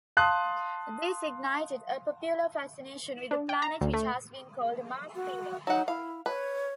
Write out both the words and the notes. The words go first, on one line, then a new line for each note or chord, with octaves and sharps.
This ignited a popular fascination with the planet which has been called "Mars fever".
F5 A5 C6 D#6 F#6
D4
G5
A#5
D2
A3
F#4
F#3 D#4 F#5
E4 F5
B4 C#5